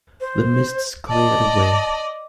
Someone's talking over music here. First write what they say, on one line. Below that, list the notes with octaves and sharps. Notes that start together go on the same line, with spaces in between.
The mists cleared away.
C5
D5 D#5 A5